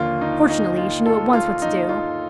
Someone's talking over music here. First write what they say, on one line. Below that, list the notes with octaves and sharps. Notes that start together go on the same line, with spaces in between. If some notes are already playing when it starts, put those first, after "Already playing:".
Fortunately she knew at once what to do.
Already playing: D#2 D3 F3 A#3 F4
D#4
D#4
F4
F4 A4
F4
D#4
F4